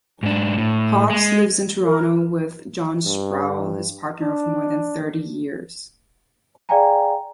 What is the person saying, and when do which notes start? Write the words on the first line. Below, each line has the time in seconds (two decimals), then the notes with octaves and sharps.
Hawkes lives in Toronto with John Sproule, his partner of more than thirty years.
0.23 G#2 D4
0.58 A2
1.10 G#3
1.83 A#4
3.06 G2
4.21 D4
6.69 G#4 D5 F5 G5 G#5 A#5